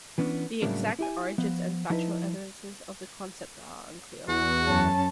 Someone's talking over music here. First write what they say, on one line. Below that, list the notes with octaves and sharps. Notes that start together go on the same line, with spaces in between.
The exact origins and factual evidences of the concept are unclear.
E3 B3 C#4 D4
A2 C#3 F#3 G3 A#3 D4
E4 G4 G#5
F3 B3
F3 D#4 E4 B4
E2 F#4
F#2 C#4 A5